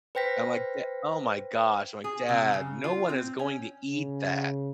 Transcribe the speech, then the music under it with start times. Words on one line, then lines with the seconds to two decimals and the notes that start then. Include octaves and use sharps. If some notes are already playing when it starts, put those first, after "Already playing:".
I'm like, "Da oh my gosh." I'm like, "Dad, no one is going to eat that.
0.15 B4 C5 G5 A#6 B6
2.04 G#4
2.29 C3
2.54 C#3
2.84 F4
3.09 C4
3.39 C#4
3.87 C#3